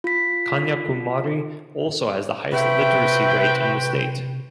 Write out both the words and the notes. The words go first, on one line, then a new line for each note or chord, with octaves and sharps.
Kanyakumari also has the highest literacy rate in the state.
F4 B6
C3 C4 F#4 B4 E5 G5